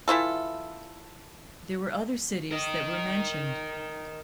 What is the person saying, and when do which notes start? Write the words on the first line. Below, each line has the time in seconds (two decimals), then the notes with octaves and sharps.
There were other cities that were mentioned.
0.08 E3 E4 F4 A4
2.51 A#4 D#5